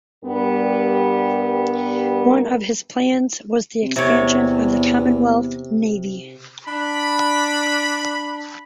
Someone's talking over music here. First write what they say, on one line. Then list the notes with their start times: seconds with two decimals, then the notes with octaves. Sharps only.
One of his plans was the expansion of the Commonwealth Navy.
0.24 G2 G3 B3 G4 A#4
3.82 C3
3.96 E2 C3 C#5
6.67 D4 B5